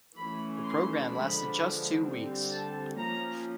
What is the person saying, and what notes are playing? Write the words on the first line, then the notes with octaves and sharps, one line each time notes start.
The programme lasted just two weeks.
E3 A3 C#4 B5
C6
D3 F3 G#3 B3 D4 B5
D3 G3 C4
A5
F3 A#3 C#4 A#5